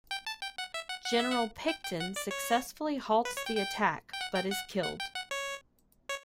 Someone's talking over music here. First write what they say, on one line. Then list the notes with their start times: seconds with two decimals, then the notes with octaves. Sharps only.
General Picton successfully halts the attack but is killed.
0.11 G5
0.26 A5
0.42 G5
0.58 F#5
0.74 E5
0.89 F#5
1.06 F#5
1.19 E5
1.32 F#5
1.68 G5
1.83 G5
2.00 F#5
2.16 D5
2.31 C#5
3.25 B4
3.37 C#5
3.46 G5
3.57 G5
4.13 G5
4.21 F#5
4.36 G5
4.51 F#5
4.83 F#5
5.00 G5
5.15 F#5
5.31 C#5
6.09 C#5